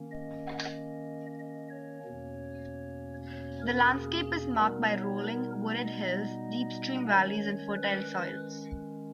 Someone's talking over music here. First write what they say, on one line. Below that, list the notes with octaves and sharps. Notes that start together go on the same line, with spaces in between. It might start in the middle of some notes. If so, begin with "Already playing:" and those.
The landscape is marked by rolling, wooded hills, deep stream valleys, and fertile soils.
Already playing: D#3 A#3 C#4
D#5
D#5
C#5
E2 B2 A#3 C#4
C#5
A#4
G#4
B2 G3 B3 D#4 A#4
C#5
A#4
D#5
D#3 G#3 C#4 C#5
B4
B4